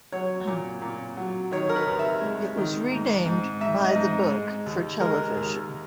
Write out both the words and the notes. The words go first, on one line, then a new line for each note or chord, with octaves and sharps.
It was renamed "By the Book" for television.
F#3 C#5
A#2
A#2
F#3
D#3 C#5
A#4
B4
D#2
E5
G#3
D#3
G#2
G#2
G#2 E5
D#5
G#2
G#3
D#2
G#3 A#4
D#2